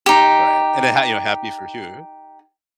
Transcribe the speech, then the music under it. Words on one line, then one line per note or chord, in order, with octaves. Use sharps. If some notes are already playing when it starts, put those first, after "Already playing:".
Right, and, uh, how you know, happy for who?
D#4 G4